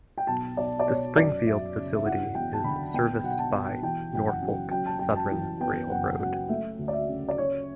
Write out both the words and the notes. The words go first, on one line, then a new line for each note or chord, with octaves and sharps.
The Springfield facility is serviced by Norfolk Southern Railroad.
G5
B1 A5
B1 D5
D5
B2 C#5
F#2 D5
F#2 E5
C#3
E5
E4 F#5
E2 G5
A5
D3 B5
B3 G5
B1 F#5
G5
A5
B2
E3 G5
F#1 G5
F#5
F#2
F#2 G5
A5
F#2 G5
A5
E3
B3 G5
F#1 F#5
F#2 F#5
A3 E5
D2
D5
E5
C#3
D5
C#4 C#5